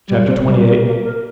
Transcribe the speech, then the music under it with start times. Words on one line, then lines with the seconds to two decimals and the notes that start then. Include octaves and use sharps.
Chapter XXVIII.
0.08 G3
0.27 C4
0.47 G3
0.65 A#3
0.85 A#3
1.04 A#4